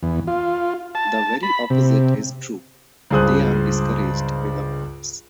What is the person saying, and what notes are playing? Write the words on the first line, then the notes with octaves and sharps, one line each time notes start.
The very opposite is true; they are discouraged vagabonds.
E2
F4
A5
B5
C3
C#2 G2 G#4 C5 D#6 F#6